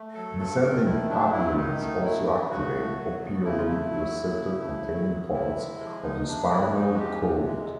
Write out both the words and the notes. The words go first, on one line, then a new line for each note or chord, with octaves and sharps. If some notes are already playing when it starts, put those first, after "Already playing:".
Descending pathways also activate opioid receptor-containing parts of the spinal cord.
Already playing: A3
F#3 A4
G2 A4
D#3 A#4
A3 E4
F#3 D4
G2 E4
D#3 D#4
A3 D#4
F#3 E4
G2
C#3 F#4
A3
F#3
D#2
C#3 E4
F4
A3 E4
F#3
D#2
C#3
A3
F#3
D#2
C3 E4
G#3
F3
E2 D#4
C3 D4
G#3 E4
F3 D#4
F#4
E2 G4
C3
G#3